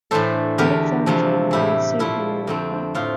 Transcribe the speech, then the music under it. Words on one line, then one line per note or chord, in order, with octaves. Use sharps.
Alexandre married Sophie Lafleur.
A2 E3 A3 D4 A4 C5
E2 D3 A3 G4 A#4
E2 C3 F3 A3 D4
A2 E3 G3 E4 G4
A#2 F3 A3 E4
F2 D3 A3 C4
A2 F3 C4 F4